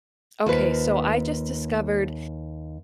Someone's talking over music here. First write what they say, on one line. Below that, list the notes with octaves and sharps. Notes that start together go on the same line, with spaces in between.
Okay, so I just discovered
D#2 F4 B4 C5